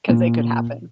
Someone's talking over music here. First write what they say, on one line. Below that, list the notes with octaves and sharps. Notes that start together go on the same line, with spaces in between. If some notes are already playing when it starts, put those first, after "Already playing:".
'Cause it could happen.
A#2